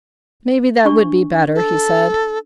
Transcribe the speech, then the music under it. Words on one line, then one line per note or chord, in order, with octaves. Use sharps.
"Maybe that would be better," he said.
D4 C#6
A4